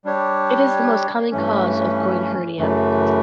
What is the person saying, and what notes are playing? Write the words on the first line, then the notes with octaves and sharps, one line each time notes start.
It is the most common cause of groin hernia.
G3 D4 G4 C#5
G2 E3 A3 C#4
F#2 C#3 E3 A3